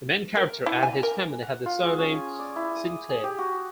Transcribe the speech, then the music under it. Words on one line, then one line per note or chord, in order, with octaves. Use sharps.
The main character and his family had the surname Sinclair.
A#4
E4
G#5
A#4
F#5
F4
G#4
C#4
G#5
D5
E4
D#6
G#4
G4
F#4